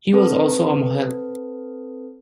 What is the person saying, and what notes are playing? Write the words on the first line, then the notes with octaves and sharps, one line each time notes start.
He was also a mohel.
C4 A4 B4